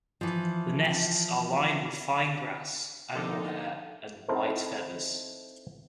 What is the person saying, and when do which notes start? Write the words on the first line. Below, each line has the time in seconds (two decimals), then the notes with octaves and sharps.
The nests are lined with fine grass, animal hair and white feathers.
0.21 E3 F3
3.15 D3 F3 A#3 D#4 A4
4.28 C4 D#4 E4 A4 A#4 C5